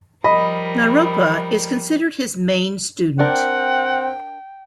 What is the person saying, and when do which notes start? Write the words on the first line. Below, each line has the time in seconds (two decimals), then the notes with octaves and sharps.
Naropa is considered his main student.
0.24 F3 G3 A#4 D#5 B5
3.19 C4 D4 A#4 F#5 G5